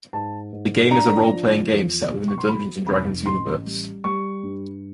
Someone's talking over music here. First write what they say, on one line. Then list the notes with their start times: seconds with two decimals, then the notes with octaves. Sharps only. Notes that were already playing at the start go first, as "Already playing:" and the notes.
The game is a role-playing game set within the "Dungeons and Dragons" universe.
0.13 G#2 A5
0.52 G#2
0.91 D4 A#5
1.31 F3
1.70 E2
2.09 B2
2.28 C#6
2.38 C6
2.48 F#3 B5
2.87 F1 B5
3.26 A1 C6
3.66 G3
4.04 G3 C#6
4.43 G2